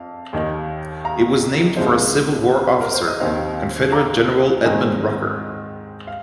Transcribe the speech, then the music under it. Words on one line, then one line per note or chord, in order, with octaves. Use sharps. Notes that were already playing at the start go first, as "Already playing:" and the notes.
It was named for a Civil War officer, Confederate General Edmund Rucker.
Already playing: F2 F5
D#2 D#3 A#3 D#4
F5 A#5
C2 C3 G#3 D#4 C5 F5
A#4
C5
D#5
D#2 D#3 C4 D#4 C5 F5
F5 A#5
G#2 D#3 C4 D#4 D#5 G#5
F5